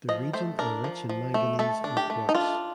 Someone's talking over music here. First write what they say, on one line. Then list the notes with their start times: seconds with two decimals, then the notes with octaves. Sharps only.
The region are rich in manganese and quartz.
0.09 F3 D#5
0.33 A3 C5
0.59 D4 A#4
0.84 F3
1.09 F3
1.34 A3
1.59 A3 A4
1.84 D4
1.97 G4
2.10 A3
2.29 D#4
2.35 D4 F4